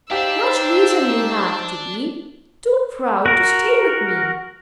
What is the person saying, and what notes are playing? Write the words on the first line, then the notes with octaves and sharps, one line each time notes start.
Much reason you have to be too proud to stay with me.
D4 D#4 G4 C5 F5 E6
F#4 A#4